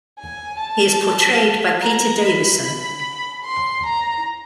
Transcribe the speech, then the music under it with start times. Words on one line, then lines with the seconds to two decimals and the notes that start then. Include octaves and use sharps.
He is portrayed by Peter Davison.
0.19 G#5
0.59 A5
1.82 A#5
2.22 B5
3.44 C6
3.86 A#5